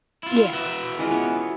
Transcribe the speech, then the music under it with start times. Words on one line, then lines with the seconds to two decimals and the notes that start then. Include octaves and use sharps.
Yeah. Yeah. Yeah.
0.23 E4 F4
0.53 F#4 B4 E5
0.99 E3 G#3 F4
1.11 B3 C#4 C#5